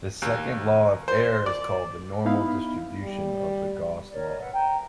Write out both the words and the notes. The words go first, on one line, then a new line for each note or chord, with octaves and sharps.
The second law of error is called the normal distribution or the Gauss law.
D#2
C5
D5
B3 D#4 E4 F5 B5
G3
A#4 C#5 D5
B4 E5 F#5
G5 A#5